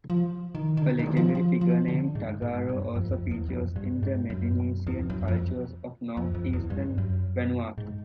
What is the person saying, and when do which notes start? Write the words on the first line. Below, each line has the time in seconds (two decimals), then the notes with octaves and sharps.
A legendary figure named Tagaro also features in the Melanesian cultures of north-eastern Vanuatu.
0.10 F3
0.55 D#3
0.77 D#3
0.82 D3
0.99 D#3
1.17 F3
1.35 F3
1.61 F3
1.88 D3
2.15 G#2
2.42 G#2
2.69 G2
2.95 F2
3.13 F2
3.31 E2
3.49 F2
3.76 G2
4.03 G#2
4.30 F#2
4.87 E2
4.98 F2
5.10 F#2
5.28 F2
6.17 F2
6.35 F2
6.53 E2
6.70 G2
6.98 F#2
7.78 G#2